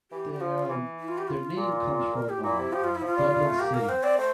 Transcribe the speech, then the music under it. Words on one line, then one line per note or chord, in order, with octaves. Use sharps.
they, um their name comes from, uh uh, Dublin City,
E3 G4
G4
F3 F4
E3
E4
F4
G4
F4
A#2
A#4
G4
A#2 E4
C3
F3 G4
F4
E4
F3 F4
G3
G3
A3
A#3 G4
A#4
A#3
C4 C5
C4 D5
A3 C5